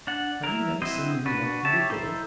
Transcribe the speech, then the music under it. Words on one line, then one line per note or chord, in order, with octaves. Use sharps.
"Have you never seen any like them before?"
D4 F#5
E4 A#4
C4 E4 F#4 C5 D#5
D4 F#4 B4
G4 C#5 E5 A5
D#4 E4 A4 C5